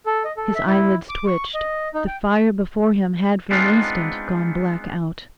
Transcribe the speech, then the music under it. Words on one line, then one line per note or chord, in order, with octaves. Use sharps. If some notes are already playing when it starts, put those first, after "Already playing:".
His eyelids twitched; the fire before him had for an instant gone black out.
A4
D#5
A4
E5
E4
D6
C#6
D#5
D#4
G5
G#3 B3 C4 D4 D#4 F4